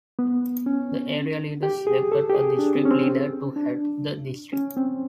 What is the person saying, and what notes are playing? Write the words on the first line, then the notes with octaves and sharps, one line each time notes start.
The area leaders selected a district leader to head the district.
B3
C#4
G4
G#4
A4
G4
G#4
D4
C4
C#4
C4
D4
C#4
C4